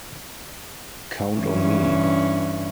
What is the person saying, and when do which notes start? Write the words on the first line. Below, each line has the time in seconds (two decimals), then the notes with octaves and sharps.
Count on me...
1.35 G2 E3 C#4